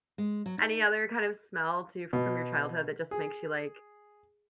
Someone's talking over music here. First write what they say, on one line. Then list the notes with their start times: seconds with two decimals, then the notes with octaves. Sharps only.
any other kind of smell, too, from your childhood that just makes you, like,
0.18 G#3
0.46 F#3
0.58 D#4
2.13 B2
3.11 G#4